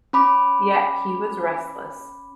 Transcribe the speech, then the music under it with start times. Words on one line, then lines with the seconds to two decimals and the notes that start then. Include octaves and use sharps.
Yet he was restless.
0.13 C#4 B5 D6